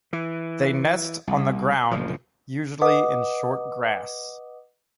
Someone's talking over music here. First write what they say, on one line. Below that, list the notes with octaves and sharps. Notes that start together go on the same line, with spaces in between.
They nest on the ground, usually in short grass.
E3
C2
F#1 D2 F3
B4 D#5 F#5 D6 D#6